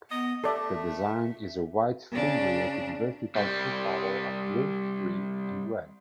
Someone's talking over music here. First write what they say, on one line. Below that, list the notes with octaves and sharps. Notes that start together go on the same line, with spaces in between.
The design is a white-fimbriated vertical tricolour of blue, green, and red.
B3 D#5
A3 A4 D5 E5
C#3 D4
C2 G3